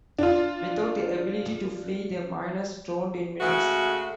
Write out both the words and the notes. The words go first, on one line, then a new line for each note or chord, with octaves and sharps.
Without the ability to flee, the miners drowned in minutes.
D4 F4
C#3 G#3 A3 F#4